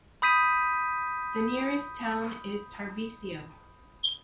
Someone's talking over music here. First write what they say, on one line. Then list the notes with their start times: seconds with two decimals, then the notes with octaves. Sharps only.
The nearest town is Tarvisio.
0.22 B5 D#6 G6 B6 D#7